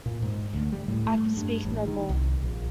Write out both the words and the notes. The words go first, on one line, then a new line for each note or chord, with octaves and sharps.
I could speak no more.
A#2
G#2
D2
G3
A2
A3
G2
A1
D#3
C2
A#1